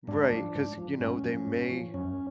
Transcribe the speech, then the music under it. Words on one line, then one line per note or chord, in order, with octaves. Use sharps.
Right, 'cause, you know, they may
G#2 D4
F3
G#2
F3
G#2 C#4
F3
G#2
F3
F#2 C#4